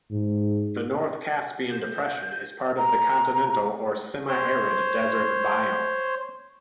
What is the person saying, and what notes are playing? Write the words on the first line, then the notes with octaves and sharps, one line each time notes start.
The North Caspian depression is part of the continental or semi-arid desert biome.
G#2
G6
A#5
C5 C#5 C6